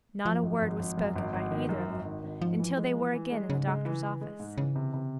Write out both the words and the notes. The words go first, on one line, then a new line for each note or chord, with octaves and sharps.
Not a word was spoken by either of them until they were again in the doctor's office.
F#2 F3
G#1
G#1
G#1
F#2
G#1
G#1
D#3
F#2
G#1
D#3
G#1
G#2 F3
E3
G#3
E3
E3
G#3
G#2 C#3
G#3
E3
E3
G#3
G#2
C#3 E3
C3
C3